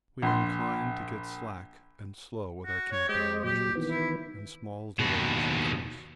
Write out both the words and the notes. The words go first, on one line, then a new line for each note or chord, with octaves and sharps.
We are inclined to get slack and slow with our camping arrangements, and small delays increase.
A#1 C6
F#4
C#5
G#3 G4 C5 D#5
A#2 F#3 G4
D#3 E3 B3
E4
D#2 B2